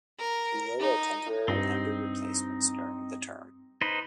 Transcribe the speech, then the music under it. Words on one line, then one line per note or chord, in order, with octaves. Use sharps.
Below are temporary member replacements during the term.
A#4
D#4
G2 C4 D#4
D#4 B4 C5